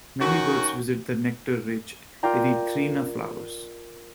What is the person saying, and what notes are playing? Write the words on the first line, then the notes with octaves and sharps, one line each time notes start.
Many birds visit the nectar-rich "Erythrina" flowers.
D#3 C#4 F#4
F4 A#4 D5 G5 A#5